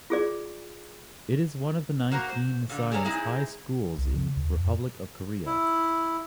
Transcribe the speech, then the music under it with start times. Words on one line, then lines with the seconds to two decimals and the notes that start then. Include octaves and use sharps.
It is one of the nineteen science high schools in Republic of Korea.
0.10 F4 G#4 D5
2.11 A#3 F#4 C5 A#5
2.29 C5
2.69 A#2 D3
2.92 G#4 A4 C#5 D5 E5 A#5
3.05 G#3 C4 D#4 E4 G#4
3.98 C2
4.14 C#3
4.36 D#2
4.56 F2
5.46 E4